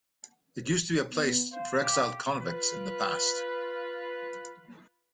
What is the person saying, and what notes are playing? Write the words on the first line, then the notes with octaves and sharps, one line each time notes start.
It used to be a place for exiled convicts in the past.
B3
C5 F5
G4
F4 B4